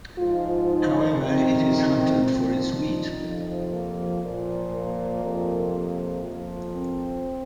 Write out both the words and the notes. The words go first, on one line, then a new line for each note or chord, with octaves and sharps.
However, it is hunted for its meat.
G#2 F3 F4
D#4
F2 C3 D#3 C4
A#2 F3
D#4
F2 C3 F3
A#3
A#2 F3
A#3
F2 C3 F3
A#3
F2 F3
C4